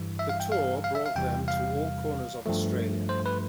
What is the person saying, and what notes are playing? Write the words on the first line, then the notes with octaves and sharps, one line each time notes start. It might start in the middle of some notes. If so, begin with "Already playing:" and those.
The tour brought them to all corners of Australia.
Already playing: G2 E3 G3
E5
F5
G5
F5
F5
E5
F5
E2 C3 E3 G3 G5
F5
G2 F3 A3
C5
B4